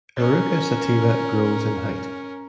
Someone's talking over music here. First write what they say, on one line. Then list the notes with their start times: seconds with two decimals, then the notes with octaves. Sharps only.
"Eruca sativa" grows in height.
0.17 C#4 A#4